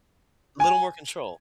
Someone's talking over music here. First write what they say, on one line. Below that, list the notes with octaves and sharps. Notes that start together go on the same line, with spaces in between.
Little more control.
G#5